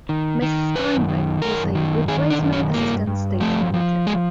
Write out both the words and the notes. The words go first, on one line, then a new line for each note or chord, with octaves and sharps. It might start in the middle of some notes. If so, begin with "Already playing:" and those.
Ms. Steinbeck was a replacement assistant stage manager.
D#3
D#3
F#2 B4
D#3
F#2 A#4
D#3
D#3 G#4
D4
F#2
C#4
G2 A#3
G2
F3 A3
F3
G#3